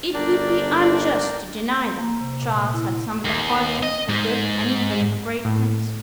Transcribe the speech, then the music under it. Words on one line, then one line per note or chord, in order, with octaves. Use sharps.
It would be unjust to deny that Charles had some of the qualities of a good, and even of a great prince.
G1 D4 A#4 D5 G5
A#3
C3
A#2
E4
D#2
D#5
G#2
A2